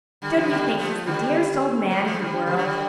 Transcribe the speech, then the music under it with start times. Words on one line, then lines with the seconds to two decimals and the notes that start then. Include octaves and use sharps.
Don't you think he's the dearest old man in the world?
0.22 D3 G3
0.37 C3 F3
0.50 D3 G3
0.78 F3 A3
1.06 D3 G3
1.91 C3 F3
2.05 F3 A3
2.19 D3 G3
2.46 D3 G3
2.56 F3 A3
2.65 D3 G3